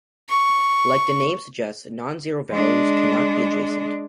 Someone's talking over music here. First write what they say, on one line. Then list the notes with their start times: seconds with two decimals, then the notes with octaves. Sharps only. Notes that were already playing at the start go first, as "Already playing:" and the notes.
Like the name suggests, non-zero values cannot be adjacent.
0.29 C#6
2.51 G#3 D4